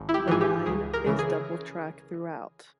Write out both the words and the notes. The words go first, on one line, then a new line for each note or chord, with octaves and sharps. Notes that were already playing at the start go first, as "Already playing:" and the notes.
The line is double track throughout.
Already playing: G#1
E4
G4
G#2 E3 G#4
G4
C#2 G#4
A#4
C#3 E3
G#4